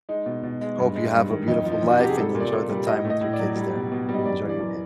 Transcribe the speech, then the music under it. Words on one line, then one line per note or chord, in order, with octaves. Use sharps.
hope you have a beautiful life and enjoy the time with your kids there. You enjoy your day.
G#3 D#4
B2
B2
G#3
G2
G#3
G2
D#3
F2 D#4
F3
D#4
F2
F#4
C3 G4
G#4
G3 A4
A#2
D5
A#2
G3
A2 D#5
A3
D#5
A2
D5
F#3
G3
B2
B2
G3
D#5
F#2 D5
E3
D5
F#2